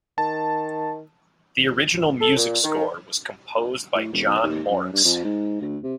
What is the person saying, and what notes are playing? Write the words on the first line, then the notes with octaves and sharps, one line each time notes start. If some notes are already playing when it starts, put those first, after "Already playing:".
The original music score was composed by John Morris.
D#3 A5
A4
A#2
D#3
A2
E1
B1
D#2
F#2
G2
F2
G#2
D2
C3